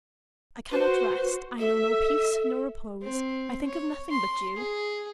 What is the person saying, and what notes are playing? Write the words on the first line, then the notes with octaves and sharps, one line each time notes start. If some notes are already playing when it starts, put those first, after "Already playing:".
I cannot rest; I know no peace, no repose; I think of nothing but you!
F#4 B4 C5
A4 E5
C4
C#5
C6
G#4